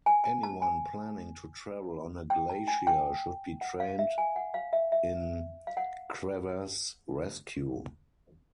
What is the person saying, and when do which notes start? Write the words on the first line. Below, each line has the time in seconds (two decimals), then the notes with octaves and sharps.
Anyone planning to travel on a glacier should be trained in crevasse rescue.
0.06 G#5
0.24 G#5
0.43 A5
0.62 G#5
2.30 G5
2.49 A5
2.68 G#5
2.87 G5
3.61 F#5
3.80 F5
3.99 E5
4.18 G#5
4.36 F#5
4.54 F5
4.73 E5
4.92 E5
5.67 F5
5.77 F#5